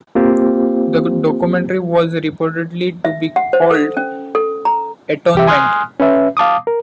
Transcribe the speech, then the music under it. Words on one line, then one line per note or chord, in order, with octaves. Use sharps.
The documentary was reportedly to be called "Atonement".
A#3 C4 F4 G4 C5
E5
F#5
C5
A4
C#4
A4
A#5
C2 G4 E5
G#5 C6 D#6 F6 F#6
C#4 B4 E5
F5 A5 D6 D#6
A#4